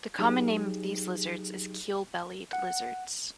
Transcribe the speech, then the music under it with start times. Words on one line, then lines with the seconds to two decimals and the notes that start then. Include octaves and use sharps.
The common name of these lizards is Keel-bellied Lizards.
0.19 F#3 D#4 G4 G#4
2.53 F#5